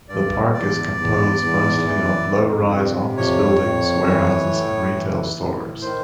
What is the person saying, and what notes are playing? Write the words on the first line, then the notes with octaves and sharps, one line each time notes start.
The park is composed mostly of low-rise office buildings, warehouses and retail stores.
G2 D5
E2 D5
E2
E2
E3
F2
C3
F2 C#5
F2
E3
A2
E3
A2
D#3 C5